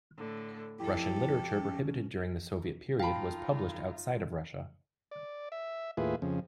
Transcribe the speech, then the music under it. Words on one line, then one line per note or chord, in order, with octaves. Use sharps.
Russian literature prohibited during the Soviet period was published outside of Russia.
A2 D3
F2 E4 G4 A4
C#4
D#4 F4 F5 G5 A5 B5
D5
E5
D#2 A2 E4 F4 G#4 B4
F2 C#3